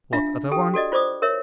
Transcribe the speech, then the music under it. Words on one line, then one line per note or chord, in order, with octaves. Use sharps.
"What other one?"
D4 F4 E5 F5
G4 A4 G5
F#4 A4 D5 D#5
F4 C5 D5 D6 D#6
A#4 C#5 E5